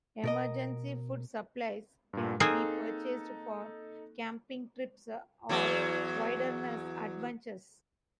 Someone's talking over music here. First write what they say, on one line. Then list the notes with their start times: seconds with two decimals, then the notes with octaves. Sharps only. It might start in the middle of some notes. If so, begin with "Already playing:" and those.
Emergency food supplies can be purchased for camping trips or wilderness adventures.
0.24 B2 A#4 D#5
2.13 G2 A#2
2.40 A#3 C4 D#4 G#4 A4 F#6
5.49 E2 F#3 D5